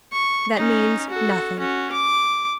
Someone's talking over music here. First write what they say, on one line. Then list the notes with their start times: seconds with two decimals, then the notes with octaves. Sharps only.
That means nothing.
0.12 C#6
0.57 C#4 D#4
1.09 F#4 A4
1.59 C#4 F#4
1.92 D6